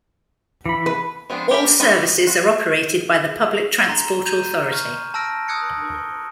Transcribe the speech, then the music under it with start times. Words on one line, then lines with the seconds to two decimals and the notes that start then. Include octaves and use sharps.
All services are operated by the Public Transport Authority.
0.66 E3 B5
0.86 B4
1.30 F3 G#3 B3 C4 D4
1.51 G4 A#4 E5 B5
1.80 D#3 G3 G#3 B3 D#4
2.27 F4 F#4
3.88 A#5 C6 G7
4.26 G6 G#6 D#7 E7
4.71 C#6 F6
5.14 A5 E6 F6 A#6 D7
5.48 D#6 E6 F#6 G#6 A#6 C#7